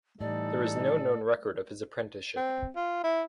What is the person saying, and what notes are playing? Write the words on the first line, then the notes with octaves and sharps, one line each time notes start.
There is no known record of his apprenticeship.
A2 E3 G3 D#4 A4 D5
C4
F4
E4